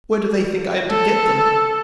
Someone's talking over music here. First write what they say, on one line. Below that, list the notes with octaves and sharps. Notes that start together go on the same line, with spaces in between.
Where do they think I am to get them?
A4